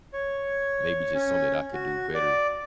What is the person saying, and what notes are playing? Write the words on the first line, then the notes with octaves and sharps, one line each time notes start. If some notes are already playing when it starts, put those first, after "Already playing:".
maybe just something that I could do better.
C#5
C#4
F#4
D5